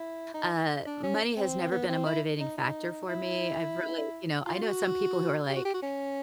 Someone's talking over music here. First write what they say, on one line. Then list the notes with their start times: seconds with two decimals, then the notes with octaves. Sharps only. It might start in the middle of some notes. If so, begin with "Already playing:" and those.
uh, money has never been a motivating factor for me, I've really you know, I know some people who are like,
Already playing: E4
0.34 D#4
0.86 D4
1.03 C#4
1.37 C4
1.71 B3
1.89 C4
2.06 E4
2.40 D#4
2.57 D#4
3.08 E4
4.46 F4
4.62 F#4
5.48 G4
5.57 F#4
5.65 G4
5.74 F#4
5.82 C#4